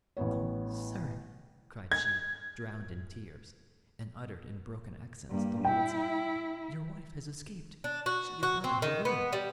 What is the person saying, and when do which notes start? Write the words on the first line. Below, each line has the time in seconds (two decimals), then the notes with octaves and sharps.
"Oh, sir," cried she, drowned in tears, and uttered in broken accents the words, "Your wife has escaped--she is not in her room!"
0.17 A1 E3 B3 C#5
1.92 G#6
5.29 G2 A#3
5.65 E4 G5
7.84 D4
8.06 F#4
8.43 F#4
8.64 C4
8.82 D#3
9.05 B3
9.33 G3